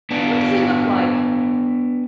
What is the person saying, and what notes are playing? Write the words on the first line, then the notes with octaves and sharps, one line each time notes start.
What does he look like?'
B3 D4